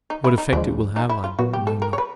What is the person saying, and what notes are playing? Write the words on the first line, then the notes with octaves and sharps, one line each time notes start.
What effect it will have, I know not.
D#4
E4
D#4
D#2 D3 F3 G#3 D4
D#4
E4
F4
A#2 F#3 B3 F#4
G4
A4
A#4
C#5
B4